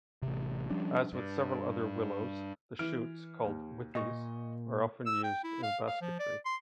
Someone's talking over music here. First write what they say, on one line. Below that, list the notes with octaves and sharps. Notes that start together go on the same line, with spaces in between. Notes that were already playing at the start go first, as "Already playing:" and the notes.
As with several other willows, the shoots, called withies, are often used in basketry.
A1 C3
F3 G3 C#4 D4
G2
E3 F6 D7
D#2
A#2 D#5 C#6
E6
G5
E4
F5
F5
F3
D5
C6